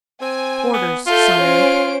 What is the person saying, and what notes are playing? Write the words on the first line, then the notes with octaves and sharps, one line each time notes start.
"Orders, Sire."
C4 G#5
B3
F4 A4 E5 G6
C#4 C5 D7